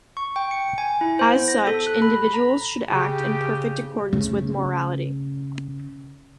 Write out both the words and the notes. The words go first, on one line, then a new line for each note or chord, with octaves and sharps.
As such, individuals should act in perfect accordance with morality.
C#6
G5
C#7
G#5
E4
C5
B3
A#6
A4
F#6
B5
A#5
C#3 G4
C#3 A3